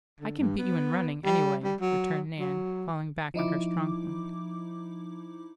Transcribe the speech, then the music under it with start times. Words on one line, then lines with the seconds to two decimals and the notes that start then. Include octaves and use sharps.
"I can beat you in running, any way," returned Nan, falling back on her strong point.
0.20 D3
0.39 G2
0.58 B3
1.25 G3
1.64 G3
1.81 F#3
2.39 F#3
3.34 F3 D#4 E4 D6